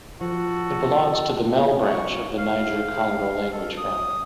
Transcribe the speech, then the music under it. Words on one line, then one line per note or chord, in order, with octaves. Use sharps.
It belongs to the Mel branch of the Niger-Congo language family.
F3 F#4 A4
C#6
F5
A4
D#6